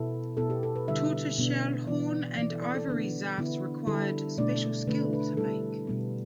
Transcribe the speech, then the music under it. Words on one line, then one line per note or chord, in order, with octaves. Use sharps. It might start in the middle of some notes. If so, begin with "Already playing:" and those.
Tortoiseshell, horn and ivory zarfs required special skill to make.
Already playing: B2 B3 E4 A4
B2 B3 E4 A4
G4
A4
B4
D3 G3 E4 E5
B2 B3 D4
E3 B3 E4 D5
E3 B3 E4 D5
A4
D5
A4
D3 B3 D4 A4
D3 B3 E4
D3 G3 E4 A4
B2 A3 D4 D5
D3 A3 D4 B4
B4
G3 E4 A4
B2 G3 B3